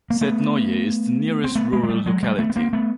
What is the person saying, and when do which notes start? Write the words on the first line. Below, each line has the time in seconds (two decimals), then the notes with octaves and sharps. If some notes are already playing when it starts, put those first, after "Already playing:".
Setnoye is the nearest rural locality.
0.10 A#3
0.21 A3 B3
1.44 C4
1.55 A3 B3
1.73 G#3 A#3
1.83 G#3
1.89 G3 A3
2.06 F#3 G#3
2.23 G3 A3
2.39 A3 B3
2.50 B3
2.56 A#3 C4
2.73 A3 B3